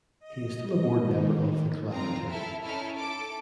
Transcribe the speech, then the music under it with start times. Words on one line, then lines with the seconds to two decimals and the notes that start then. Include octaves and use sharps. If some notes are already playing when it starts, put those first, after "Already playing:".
He is still a board member of the Collaborative.
0.20 D#5
1.03 D#3
1.91 C4 F4 A#5
2.29 E4 A4 E5 F6
2.62 C#4 D#4 E4 A4 F6
2.96 A4 D6 D7